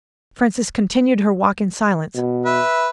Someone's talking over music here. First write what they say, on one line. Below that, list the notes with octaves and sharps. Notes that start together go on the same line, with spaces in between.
Frances continued her walk in silence.
B2
B4 E5